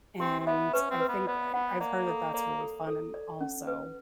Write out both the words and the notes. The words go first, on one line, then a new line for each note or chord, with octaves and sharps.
and I think I I've heard that that's really fun and also
C4 G4
C4
B3 E5
C#4 B4
C4
B4
B3
B3 D5
B3 F#5
A#3 D5
A4
A#3 D5
A4
A4
D5
C#4
B4